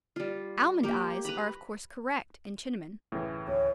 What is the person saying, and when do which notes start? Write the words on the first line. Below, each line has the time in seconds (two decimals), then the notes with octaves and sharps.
Almond eyes are of course correct in Chinamen.
0.16 G3 F4
0.83 A#3 G4
1.25 B4 A#5 B5
3.12 F#1 A2 C#3 E3
3.48 D2 C#5